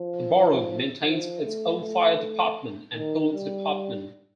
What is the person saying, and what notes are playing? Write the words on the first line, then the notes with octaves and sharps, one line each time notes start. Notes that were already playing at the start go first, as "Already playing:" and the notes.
The borough maintains its own fire department and police department.
Already playing: F3
F3
A3
A3
A3
D#3
G3